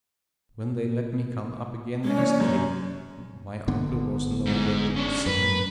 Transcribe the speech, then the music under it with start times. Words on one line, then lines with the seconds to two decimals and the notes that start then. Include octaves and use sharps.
And when they let me come up again next day, my uncle was nowhere to be seen.
2.04 G#3 C#4
2.17 C3 E3 A#3 D4 C#5
2.40 F#2
3.67 G1 D3 B3
4.46 G#2
4.96 C#4 D4
5.26 F#2 B4